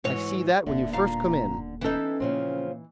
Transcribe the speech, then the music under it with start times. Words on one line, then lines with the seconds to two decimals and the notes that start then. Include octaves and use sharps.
I see that when you first come in.
0.04 G#2 E3 F#4 C#5
0.66 D#1 B2 D3 E5
0.93 A#2 F5 A#5
1.81 E3 B3 C#4 D#4 A4
2.20 A#2 C#3 F3 A#3 C4